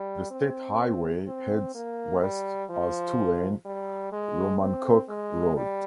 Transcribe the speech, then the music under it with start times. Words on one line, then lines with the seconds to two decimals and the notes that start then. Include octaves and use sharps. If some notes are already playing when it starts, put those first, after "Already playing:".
The state highway heads west as two-lane Romancoke Road.
Already playing: G3
0.31 C4
1.27 C4
1.75 A#3
2.21 G3
2.70 F3
3.65 G3
4.12 G#3
4.61 C4
5.09 G#3
5.56 G3